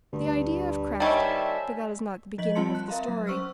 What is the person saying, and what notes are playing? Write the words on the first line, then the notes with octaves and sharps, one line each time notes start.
The idea of Kraft--but that is not the beginning of the story.
D2 G2
D#3 G3 C5 C#5 E5 G#5 A5
F3 D#5 B6 F#7
G3 C4 F4 A5 C6 C#7
F#6
A#4 E5 F5 A#5 C6
F#3
C#4 C5 C#6 E6 F6